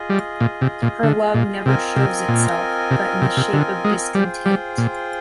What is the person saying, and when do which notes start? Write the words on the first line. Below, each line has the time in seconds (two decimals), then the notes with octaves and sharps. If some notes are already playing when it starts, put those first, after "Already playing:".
Her love never shows itself but in the shape of discontent.
Already playing: F4 G#4 D#5
0.10 G3
0.40 A#2
0.61 C3
0.82 A#2
1.03 D3
1.34 A#2
1.65 C3 C4 F4 A#4 D#5 G#5
1.96 C3
2.28 A#2
2.91 C3
3.22 C3
3.37 C3
3.53 D3
3.85 G#3
4.15 G3 F4 G#4 C5 G5
4.46 G3
4.78 A#2